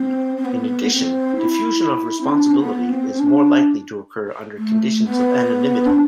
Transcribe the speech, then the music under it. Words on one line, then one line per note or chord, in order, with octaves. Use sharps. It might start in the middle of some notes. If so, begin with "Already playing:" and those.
In addition, diffusion of responsibility is more likely to occur under conditions of anonymity.
Already playing: C4
C4
B3
C4
E4
C4
D4
C4
B3
C4
C4
D4
A3
B3
D4